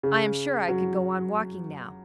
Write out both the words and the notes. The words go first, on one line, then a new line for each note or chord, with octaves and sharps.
I am sure I could go on walking now.
C#3
F#3